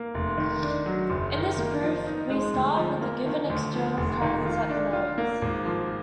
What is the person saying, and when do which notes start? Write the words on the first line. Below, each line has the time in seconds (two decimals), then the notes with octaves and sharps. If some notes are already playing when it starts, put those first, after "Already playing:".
In this proof, we start with given external currents at the nodes.
Already playing: A#3
0.14 F1
0.38 D#3
0.62 D4
0.86 F#3
1.10 F#1
1.34 D#3
1.58 A#3
1.81 F3
2.06 D#4
2.30 G#3
2.53 D2
2.77 F3
3.01 A#3
3.25 D#3
3.49 D2
3.73 F3
3.97 F1
4.21 D#3
4.46 F4
4.69 D4
4.93 F4
5.18 A#3
5.42 G#1
5.65 F3